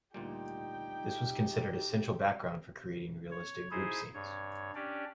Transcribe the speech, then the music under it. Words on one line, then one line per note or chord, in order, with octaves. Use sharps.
This was considered essential background for creating realistic group scenes.
D2 A#2 G3 D#4 G4 G5
C#5
D#4 E4 G#4 C5
G2 C#5
C#4 D4 G4 D5